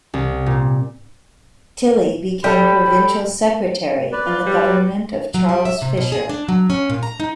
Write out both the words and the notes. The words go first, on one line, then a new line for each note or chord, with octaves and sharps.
Tilley became Provincial Secretary in the government of Charles Fisher.
C2
A#2
G3 A4 G5 B5
B4 D5
F4
G3
F#3
G3
E5
C3
B2
G#4
D4
F#3
C#4
A#2
A#5
D#4